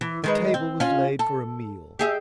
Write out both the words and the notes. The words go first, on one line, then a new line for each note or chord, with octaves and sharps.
The table was laid for a meal.
E3
D#3 G#3 B4
C4
C#4 F4
A4
G4 G#4 E5